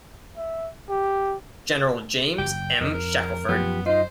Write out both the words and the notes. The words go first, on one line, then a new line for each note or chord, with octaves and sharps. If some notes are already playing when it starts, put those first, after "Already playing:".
General James M. Shackelford.
E5
G4
F#1 G5
F2 D#3 F3
A#4
F#2 F3 B3 G4
D#4 F4 C5 D#5